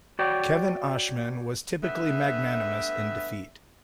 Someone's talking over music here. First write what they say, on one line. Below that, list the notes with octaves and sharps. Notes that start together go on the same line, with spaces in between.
Kevin Ashman was typically magnanimous in defeat.
F#4 C#5 D5 G5
G2 A3 B3 E5